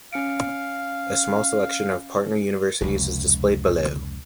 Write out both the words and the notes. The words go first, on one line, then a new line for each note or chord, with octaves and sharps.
A small selection of partner universities is displayed below.
C#4 F5 C#7 D7
F1 C#2